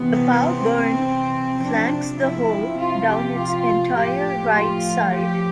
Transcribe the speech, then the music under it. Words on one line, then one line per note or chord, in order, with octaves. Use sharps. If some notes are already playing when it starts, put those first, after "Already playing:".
The Pow Burn flanks the hole down its entire right side.
Already playing: C3 E3 B3
C4
C3 F3 D4
E4
F4
G4
F4
A2 F3 G4
F4
G4